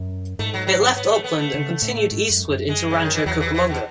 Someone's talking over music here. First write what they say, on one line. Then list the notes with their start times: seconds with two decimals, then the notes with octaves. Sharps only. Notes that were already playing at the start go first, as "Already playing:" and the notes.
It left Upland and continued eastward into Rancho Cucamonga.
Already playing: F#2
0.39 G#2 A3
0.54 F#3
0.67 F#3
0.82 F#3
0.96 B3
1.10 A3
1.24 B3
1.39 A3
1.54 C#3
1.82 A2
2.11 G#2
2.30 F#2
2.49 F#2
2.69 G#3
2.90 C#3
3.02 D#3
3.14 E3
3.26 E2 F#3
3.40 E3
3.54 E3
3.69 B2